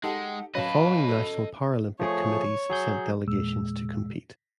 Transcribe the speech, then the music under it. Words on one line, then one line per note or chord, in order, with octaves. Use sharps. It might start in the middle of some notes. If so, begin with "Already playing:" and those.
The following National Paralympic Committees sent delegations to compete.
G#3 D#4 G4 A4 F#5
F#3 C#4 B4 D#5 F5 A5
A4
F3 A3 G#4 C#5
F#3 G#4 G6
E2 A#2 G#3 E6